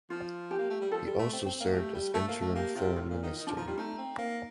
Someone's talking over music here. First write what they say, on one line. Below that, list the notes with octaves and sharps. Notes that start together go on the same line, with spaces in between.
He also served as interim Foreign Minister.
F3 F4
G4
A#3
A3
G3
F3 A4
G3
A3
C4
C4
A#3
A3 G4
G3
A3 A4
A#3
A3
A#3 G4
C3 F4
A2 F4
A#2
D#3
D#3
F3 D4
F3 D#4
G3 F4
A3 D#4
C4
A#3